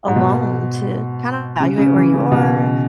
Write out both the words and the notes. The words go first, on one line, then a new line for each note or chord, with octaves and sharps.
alone to kinda evaluate where you are,
G#2
B2
C#3
C#3
E3
C#3
B2